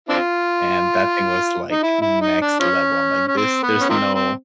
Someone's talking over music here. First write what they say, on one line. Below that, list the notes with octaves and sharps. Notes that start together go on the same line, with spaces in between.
and that thing was, like, next level. I'm like, "This there's no
C4 D4 F4
D#4
E4
E4
D#4
D4
F3 C#4
C#4
C4
B3
C#4
D#3 F3 C4
C4